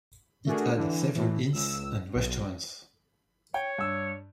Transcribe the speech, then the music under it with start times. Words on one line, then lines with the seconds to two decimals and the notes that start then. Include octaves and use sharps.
It had several inns and restaurants.
0.46 A3 D4 F#4 G#4 A#4
0.76 D3 E3
1.15 A2 E3
1.53 C#2 E6
2.15 B1
3.54 C#5 G5
3.78 G2 E6